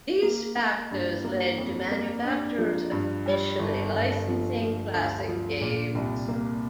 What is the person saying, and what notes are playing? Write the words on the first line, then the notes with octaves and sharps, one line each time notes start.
These factors led to manufacturers officially licensing classic games.
A#3
A#3
G2
A#3
F2
A#3
D4
F3
G2
G3
G1
G1
F3
F3
D2
F3
A#2
C2
A#3